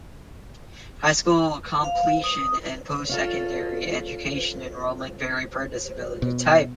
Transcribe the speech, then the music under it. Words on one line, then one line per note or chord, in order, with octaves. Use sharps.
High school completion and postsecondary education enrollment vary per disability type.
F5
D#6
C#4 F4 A4
B2